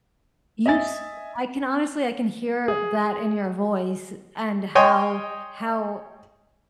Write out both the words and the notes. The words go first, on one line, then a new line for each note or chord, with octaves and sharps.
You s I can honestly I can hear that in your voice and how how
D#5 E5 G#5 A6
G#4
C#5 D#5 G5 G#5 C6